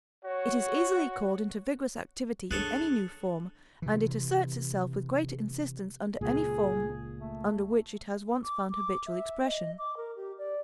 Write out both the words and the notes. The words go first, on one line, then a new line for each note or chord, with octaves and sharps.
It is easily called into vigorous activity in any new form, and it asserts itself with great insistence under any form under which it has once found habitual expression.
F#4 C#5
D4 D#4 G#4 A4 C#5 F#6
C3 E3
C#2 A#2 G#4
A3
D6
D6
E5
D#5
D6
A#4
G4
D5